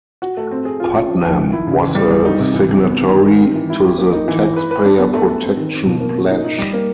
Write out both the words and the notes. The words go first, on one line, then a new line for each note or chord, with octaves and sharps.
Putnam was a signatory to the Taxpayer Protection Pledge.
F#4
A3
C4
G#4
F4
C#4
F3
F3
D#3
E4
C#3
E3
G3
G3
D#4
C3
E3
C3
B3
D#3
D#3
D#3
C4
E3
E4
G4
A#3
D#4
E3
E3
B4
B4
D4
B3
A3
A3
C4
D#3
C4
B2
A#3
A#3
D#4
D#4
G3
A#3